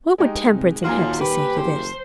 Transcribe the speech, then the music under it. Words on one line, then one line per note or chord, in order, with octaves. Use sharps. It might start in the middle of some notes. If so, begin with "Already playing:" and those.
"What would Temperance and Hepsey say to this?"
G#3 D#4 G4
C3
D#1 D#2 A#3 F4 F#4 A#4 G#5
G4 B4
F#1 C5